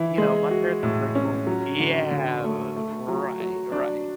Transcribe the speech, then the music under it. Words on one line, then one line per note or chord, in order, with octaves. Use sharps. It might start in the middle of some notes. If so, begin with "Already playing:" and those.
you know, my parents will bring home yeah, right, right.
Already playing: E3 E4
G#3
F#4
A2
C#4
F#3
D3
D3
A3
A3
F#3
F#3
D4